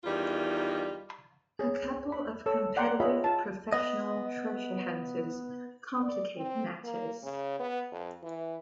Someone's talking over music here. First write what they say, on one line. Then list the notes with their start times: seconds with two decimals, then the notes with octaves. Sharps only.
A couple of competitive professional treasure hunters complicate matters.
0.04 E2 D#3 G3 D#4 F4
1.59 G#4 C#5
2.12 B5
2.46 A4 C#5 E6
2.76 D5 F#5 G5 A#5 C6
3.00 F4 G#4 C#5 D#5 E5 B5
3.24 F4 A5
3.73 B3 D#5
6.03 D5
6.37 C4
6.84 A#3
7.23 C#3
7.60 B3
7.92 F2
8.23 E3